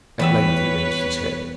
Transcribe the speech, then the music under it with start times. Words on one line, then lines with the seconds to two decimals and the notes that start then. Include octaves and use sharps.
At length he raised his head.
0.19 E2 G3 B4 C#5 E5